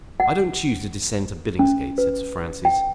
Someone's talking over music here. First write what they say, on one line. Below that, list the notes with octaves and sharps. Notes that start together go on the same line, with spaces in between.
"I don't choose to descend to Billingsgate," said Sir Francis.
F#5
C#4
B4
G5